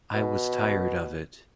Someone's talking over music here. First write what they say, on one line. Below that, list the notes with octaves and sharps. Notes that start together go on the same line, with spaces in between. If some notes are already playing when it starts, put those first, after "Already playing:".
I was tired of it.
B2